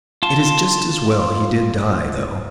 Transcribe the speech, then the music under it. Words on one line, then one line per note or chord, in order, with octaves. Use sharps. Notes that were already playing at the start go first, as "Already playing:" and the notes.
"It is just as well he did die, though."
F4 A5